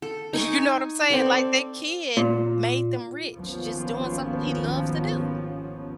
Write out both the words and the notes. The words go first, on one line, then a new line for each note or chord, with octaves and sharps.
Y You know what I'm saying? Like their kid made them rich just doing something he loves to do.
A4
D#4 G#5 C#6
C4 A4 D5
A#2
G#1 D#2 F3 B3 C#4